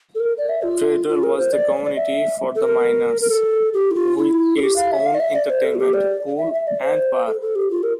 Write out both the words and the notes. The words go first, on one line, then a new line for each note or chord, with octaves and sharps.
Treadwell was the community for the miners, with its own entertainment, pool, and bar.
A4
A#4
D5
E5
F4
F4
A#4
C5
D5
D5
E5
A4
A#4
A#4
A4
G4
E4
F4
E4
A4
G4
F5
E5
F5
D5
E5
D5
C5
A4
F4
G4
D5
E5
E5
D5
C5
A4
A4
G4
F4
A#4